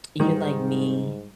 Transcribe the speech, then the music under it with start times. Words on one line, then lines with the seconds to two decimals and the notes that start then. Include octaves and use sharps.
You're like me.
0.20 G#2 D#3 G3